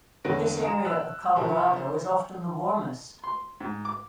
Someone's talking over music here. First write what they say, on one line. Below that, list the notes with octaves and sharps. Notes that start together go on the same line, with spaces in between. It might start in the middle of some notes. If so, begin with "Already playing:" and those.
This area of Colorado is often the warmest.
E2 D3 B4 C#5 A#6 D7
F5 A#5 D#6 D7 E7
E6 F#6
C2 F3 C4
C5
C6
G#2
D6